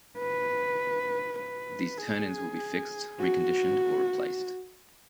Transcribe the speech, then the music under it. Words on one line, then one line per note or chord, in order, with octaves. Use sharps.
These "turn-ins" will be fixed, reconditioned, or replaced.
B4
B4
G#4
F#4